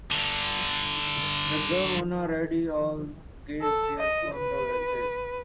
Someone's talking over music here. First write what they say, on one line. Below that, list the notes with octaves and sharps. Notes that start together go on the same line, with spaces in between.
Jaganmohan Reddy all gave their condolences.
G2 D3
A4
D#5
B4